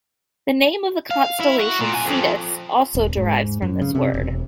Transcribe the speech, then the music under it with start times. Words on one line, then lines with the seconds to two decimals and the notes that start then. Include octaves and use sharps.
The name of the constellation Cetus also derives from this word.
1.11 F5
1.40 E4
1.59 F#4
1.80 A#2
1.93 F2 G#5
2.05 F2
2.95 D#1
3.17 G#2
3.62 F#2
3.82 C#3
3.95 C3
4.14 E1